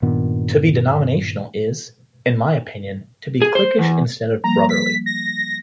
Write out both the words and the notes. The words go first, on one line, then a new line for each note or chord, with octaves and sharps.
To be denominational is, in my opinion, to be cliquish instead of brotherly.
G2 A#2 D#3 B3
G#4
C5
E2
F3 G3 A#3 A#5
B6
A#6